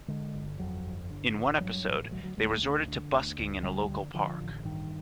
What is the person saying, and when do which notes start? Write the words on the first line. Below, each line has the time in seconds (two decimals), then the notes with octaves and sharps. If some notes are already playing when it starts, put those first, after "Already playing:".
In one episode, they resorted to busking in a local park.
0.08 D3 G#3
0.34 G1
0.59 F2 F#3
0.85 G1
1.10 D3
1.36 A1
1.60 G2 F#3
1.86 A1
2.11 D2 F#3
2.24 F#3
2.37 D2 G#3
2.50 A3
2.63 D3
2.88 D3
3.13 D2
3.38 D2
3.63 D3 G3
3.89 D3
4.14 D3 F3
4.40 A1
4.65 G2 D#3